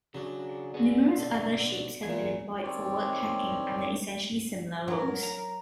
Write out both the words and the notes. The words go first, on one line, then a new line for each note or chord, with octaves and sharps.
Numerous other shapes have been employed for word-packing under essentially similar rules.
C#3 F#3 D4 G#4
D3 B3 F#4 G#4
B2 B3 A4
E2 A#2 G#4 G#5
D#3 G3 C4 C#5 D5
F#3 A#4
A#5